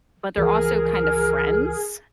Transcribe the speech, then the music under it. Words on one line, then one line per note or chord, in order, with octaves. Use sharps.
but they're also kind of friends,
C#2 E3 F3 G#4 A#4